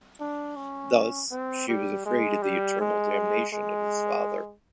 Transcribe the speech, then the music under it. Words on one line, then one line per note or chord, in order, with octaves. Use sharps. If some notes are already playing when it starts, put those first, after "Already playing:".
Thus, she was afraid of the eternal damnation of his father.
D4
C#4
C4
G3
G#3
G3
G#3
G#3